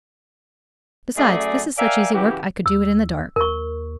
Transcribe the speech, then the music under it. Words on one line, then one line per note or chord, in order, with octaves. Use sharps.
"Besides, this is such easy work I could do it in the dark."
F#2 A3 G#4 D5
A#4 D5 E5 F5 G5 G#5
C#3 E3 F#4 G4
D#2 E6
D#2 A#4 C#6